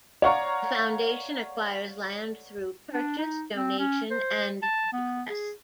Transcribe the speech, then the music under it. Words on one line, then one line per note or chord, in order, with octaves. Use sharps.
The Foundation acquires land through purchase, donation and bequest.
C#5 D5 F5 F#5 A#5 C#6
D4
D#4
C4
C#4
C5
A5
B3
G#4